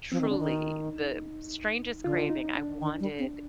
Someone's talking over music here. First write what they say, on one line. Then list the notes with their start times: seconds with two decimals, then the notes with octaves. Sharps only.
truly the strangest craving, I wanted
0.11 F3 C4
0.21 D#3
0.30 D3 D4
0.39 D#3
0.50 D#4
2.04 D3 F4
2.30 D#4
2.55 D4
2.81 D#3
3.00 G3
3.19 C4